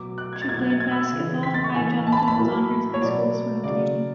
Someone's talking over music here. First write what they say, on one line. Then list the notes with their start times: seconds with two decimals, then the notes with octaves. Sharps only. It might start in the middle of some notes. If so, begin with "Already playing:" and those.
She played basketball, high-jumped and was on her high school swim team.
Already playing: B2 F#3 D6
0.18 F#6
0.33 G#6
0.42 A6
0.49 B2 F#3 G#6
0.59 G#6
0.70 A6
0.80 G#6
0.91 E6
1.12 C#3 E3
1.43 B6
1.54 A6
1.64 C#6
1.74 A2 E3 G#5
2.07 A5
2.12 B5
2.17 A5
2.28 B5
2.37 A2 F#3
2.94 C#5
3.01 B2 F#3 D5
3.64 C#3 F#3 D5